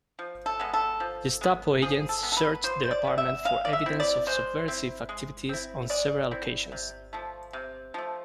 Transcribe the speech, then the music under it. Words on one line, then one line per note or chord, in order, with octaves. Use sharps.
Gestapo agents searched their apartment for evidence of subversive activities on several occasions.
F3
A4
G#3 B3
A4
F3
G#3 B3
F3 G#4
A4
G#3 B3
A4
B4
F3 C5
C5
D5
G#3 B3
E5
G#3 F5
D5
E5
C4 E4
D5
G#3 C5
C4 E4
G#3
C4 E4
G#3 D5
C4 E4
C3
F3 A3
C3
F3 A3